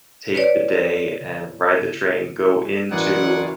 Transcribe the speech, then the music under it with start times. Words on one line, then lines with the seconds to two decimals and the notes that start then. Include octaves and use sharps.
take the day and ride the train, go into,
0.35 B4 C#5 D5
2.91 F#1 E3 F#4 G#4 D5 F#5